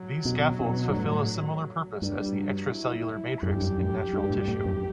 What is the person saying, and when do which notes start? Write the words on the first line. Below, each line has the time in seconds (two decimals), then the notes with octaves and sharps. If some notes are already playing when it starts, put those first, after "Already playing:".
These scaffolds fulfill a similar purpose as the extracellular matrix in natural tissue.
Already playing: F#3
0.25 B2
0.61 B2
0.90 G2
0.95 A2
2.02 G2 G3
2.37 F#3
2.72 E4
3.43 F#2 G4
3.52 G2
3.62 F#2
3.78 F#2
4.13 G2
4.24 G2
4.30 A2
4.48 A2
4.66 F#2